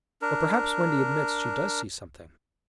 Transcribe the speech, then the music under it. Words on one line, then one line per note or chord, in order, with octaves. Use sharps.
Or perhaps Wendy admits she does see something.
D4 A#4